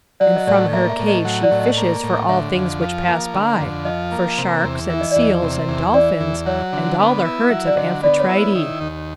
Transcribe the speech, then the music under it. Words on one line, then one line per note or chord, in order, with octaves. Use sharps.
And from her cave she fishes for all things which pass by, for sharks, and seals, and dolphins, and all the herds of Amphitrite.
F#3 D5
D#5
A2 D5
A#3 E5
E5
A2
D#5
F#3
D5
A2
D#5
A#3
A2
D3 E5
F2
F3
A#3
D3
F2
F3 D#5
A#3
C3
E2
E3 E5
D#5
E2 D5
D#5
C3
E2
E3 D5
E2
F#3 C#5
D3
B3
E4
F#3 E5
D5
D3 D#5
B3 D5
C#5
E4
C5
D#3 B4
D#2